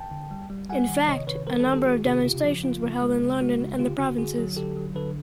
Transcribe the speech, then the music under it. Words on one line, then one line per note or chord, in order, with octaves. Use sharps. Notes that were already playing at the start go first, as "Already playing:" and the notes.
In fact, a number of demonstrations were held in London and the provinces.
Already playing: G5 A5
D3
G3
G3
G3 F#5 G#5
D#3
C3 C#5 D#5
D#3 B4 C#5
G3 A#4 C5
A4 B4
D#3
G4 A4
D#3 F#4 G#4
C3 F#4 G#4
C#3 F4 G4
F3
C#3 F4
C#3
G#3
C#3
G#3 F#4
C#3
D3 F4 G4
D3 F#4
D3 F#4 G#4
F#3
D3 G4 A4
F#3
D3 A4 B4